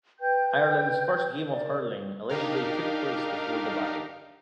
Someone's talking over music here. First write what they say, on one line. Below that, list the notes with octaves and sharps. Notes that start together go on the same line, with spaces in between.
Ireland’s first game of hurling allegedly took place before the battle.
B4 G5 G6
A#4 D5
D4 D#4 G4 A#4 F5